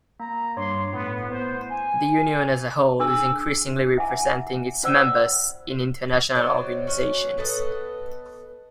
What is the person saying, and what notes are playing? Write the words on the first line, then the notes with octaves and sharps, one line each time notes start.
The Union as a whole is increasingly representing its members in international organisations.
A#3 A#5
G2 C#5 C6 D6
A2 B3 E4
B3 C5
G#5
D4 G#4 A5 D6 E6
E4 E5 F#5 G#5 D6
C#4 F4 C5 D5 F#5 E6
F#3 D#4 C5 D5
C#4 F#4
B3 A4 B4 D#5